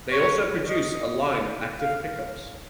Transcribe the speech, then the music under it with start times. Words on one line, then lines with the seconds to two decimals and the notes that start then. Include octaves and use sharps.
They also produce a line of active pickups.
0.12 C#5
0.68 D#5
1.80 F5